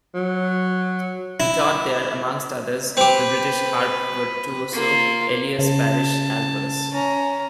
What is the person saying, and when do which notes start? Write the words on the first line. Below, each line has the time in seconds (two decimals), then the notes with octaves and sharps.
He taught there, amongst others, the British harp virtuoso Elias Parish Alvars.
0.15 F#3
1.40 E4
2.97 C4 G4 B4
4.73 A#3 F4
5.59 C#3 A5
6.92 C#4 A#5